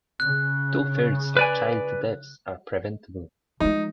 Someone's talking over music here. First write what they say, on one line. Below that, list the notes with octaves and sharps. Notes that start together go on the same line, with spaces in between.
Two-thirds of child deaths are preventable.
C#3 F#6
B4 D5 G#5
F3 G#3 D#4